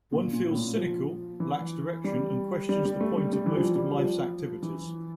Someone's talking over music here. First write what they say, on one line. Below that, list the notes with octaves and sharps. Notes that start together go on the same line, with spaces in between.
One feels cynical, lacks direction, and questions the point of most of life's activities.
A#2
A#2
A2
A#2
F3
E3
G3
G3
G3
A3
G3
G3
E3
F3
G3
F3
E3